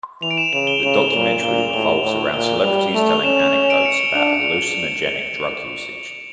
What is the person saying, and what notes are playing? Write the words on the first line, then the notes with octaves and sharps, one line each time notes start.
The documentary revolves around celebrities telling anecdotes about hallucinogenic drug usage.
E3 F7
D7
E7
C#3 F7
G7
C#3 F7
A#2 G7
F7
A#2 G7
F7
A2 G7
A2
A#2 G7
G7
G3 F7
G7
A3 F7
F7
C#4 E7
F7
D7
C#7
D7
D4 F7